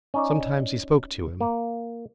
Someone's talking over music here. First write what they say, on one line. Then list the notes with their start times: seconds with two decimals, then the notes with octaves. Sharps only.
Sometimes he spoke to him.
0.14 C#4 D#4 D5
1.41 A#3